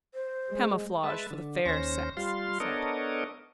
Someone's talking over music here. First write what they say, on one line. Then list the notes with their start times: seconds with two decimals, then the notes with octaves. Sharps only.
"Camouflage for the fair sex," he said.
0.14 C5
0.50 G#3
1.03 G#3 B4 E5 A5
1.31 D3
1.65 D#2 C#4 C5 A#6
2.17 G3 F4 F5 C6
2.60 B3 D4 A4 A#4 C#5 D#5